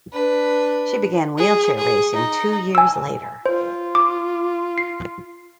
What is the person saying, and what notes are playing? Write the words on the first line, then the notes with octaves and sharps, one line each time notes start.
She began wheelchair racing two years later.
D4 B4
G#4
G#4
D#4
G#5 E6
F4 C5
D6
C7